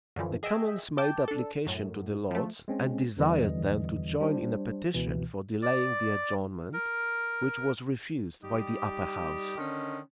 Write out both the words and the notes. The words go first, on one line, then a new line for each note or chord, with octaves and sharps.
The commons made application to the lords, and desired them to join in a petition for delaying the adjournment; which was refused by the upper house.
F#2 D3 E3 F3
G#4 D#5 E5 G5
G5 A5 D6 G6
D4 A4
F#2 A2
F3 A3
G#3 C4 C#4
E2 D3 E3 G3 D#5
G3 D4 C5
C#2 B2 E3
D5
A#4
G3 D#4 G4
D3 D#3 C#4